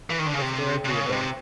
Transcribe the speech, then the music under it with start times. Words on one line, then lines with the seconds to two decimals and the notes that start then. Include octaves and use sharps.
"If they're agreeable."
0.10 E3
0.19 D#3
0.26 D3
0.34 C#3
0.41 C3
0.85 C3
0.88 C#3
1.06 B2
1.12 C3